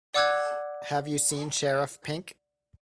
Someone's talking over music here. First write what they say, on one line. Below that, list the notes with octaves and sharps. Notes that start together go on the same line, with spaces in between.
Have you seen Sheriff Pink?
D5 F#5 D6 E6 F#6 G#6